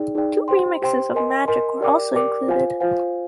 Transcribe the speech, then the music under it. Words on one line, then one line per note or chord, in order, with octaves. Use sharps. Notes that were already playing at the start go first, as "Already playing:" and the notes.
Two remixes of "Magic" were also included.
Already playing: D#4 G#4 D5 G5
D#4 G#4 D5 G5
G4 C5 G5 C6
G4 C5 G5 C6
A#4 D#5 G#5 C6
A#4 D#5 G#5 C6
G4 A#4 D5 G5 D6
G4 A#4 D5 G5 D6
F4 C5 F5 G#5
F4 C5 F5 G#5